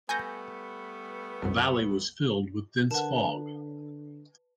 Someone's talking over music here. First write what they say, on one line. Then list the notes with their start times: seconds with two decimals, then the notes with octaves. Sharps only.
The valley was filled with dense fog.
0.09 G3 A3 B3 G#5 G6 A#6
1.42 C2 F#2
2.91 D3 A#4 B4 F#5 A5